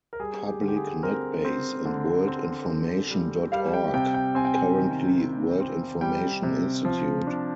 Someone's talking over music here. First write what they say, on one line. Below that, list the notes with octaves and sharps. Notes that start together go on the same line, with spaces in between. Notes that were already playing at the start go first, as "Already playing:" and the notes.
Public Netbase and World-Information.Org, currently: World-Information Institute.
A#4
G3 G#4
G4
D3
G4
G#4
C4 A#4
C4
D3
C4
D3
G3
G3 F5
G5
C3 G5
G5
C4 G#5
G5
G#5
D#3
C4
C4
G3 G5
C3
F3
D4